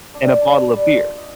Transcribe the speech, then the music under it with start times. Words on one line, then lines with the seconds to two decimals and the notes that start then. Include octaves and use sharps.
and a bottle of beer.
0.14 D4 D5
0.41 D4 F5
0.68 G3 D5
0.96 F4
1.17 D#5